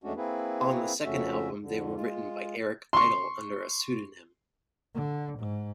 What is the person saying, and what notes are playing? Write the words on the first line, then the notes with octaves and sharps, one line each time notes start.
On the second album they were written by Eric Idle under a pseudonym.
E2 G#3 A3 C#4 D4 F#4
A#3 C4 E4 G#4 B4
F2 C#3 A3 C#4 F#4 E5
F2 D3
G#3 F4
C6 C#6
D3
G#2